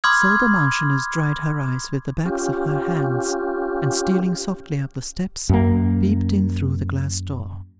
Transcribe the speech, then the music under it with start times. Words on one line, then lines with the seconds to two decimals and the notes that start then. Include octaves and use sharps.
So the Marchioness dried her eyes with the backs of her hands, and, stealing softly up the steps, peeped in through the glass door.
0.04 B5 C6 D6 D#6 F6 G#6
2.26 C#4 F4 G4
5.49 F#2 A#3